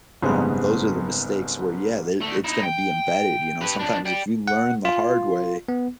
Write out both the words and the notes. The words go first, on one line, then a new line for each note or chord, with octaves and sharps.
um, those are the mistakes where, yeah, they it's gonna be embedded, you know, sometimes if you learn the hard way,
F#1 G#2 G3 B3 C4 G#4
D2 A3
D#4 E4
G5
G4 B4
F2 D4
D5 G5
F#5
F4
B3